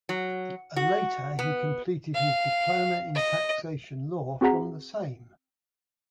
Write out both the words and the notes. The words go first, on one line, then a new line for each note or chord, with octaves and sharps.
Later he completed his diploma in taxation law from the same.
F#3
F#4
B3
F5
D#5
C4 F#4 G#4 F#5 A#5 B6